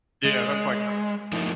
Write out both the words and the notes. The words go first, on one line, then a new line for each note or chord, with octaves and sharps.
Yeah, that's like
G#3
F3 A3 A#3 D#4 E4